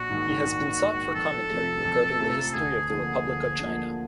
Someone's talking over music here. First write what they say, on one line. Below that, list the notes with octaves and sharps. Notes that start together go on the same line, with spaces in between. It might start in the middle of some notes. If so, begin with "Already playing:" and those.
He has been sought for commentary regarding the history of the Republic of China.
Already playing: A#1 F#4
G#2 D#3
A#1
G#2 D#3
F2 A4
C3 F3 A3
F2
C3 F3 A3
D2 G#4
D3 F3 A#3
D2
D3 F3 A#3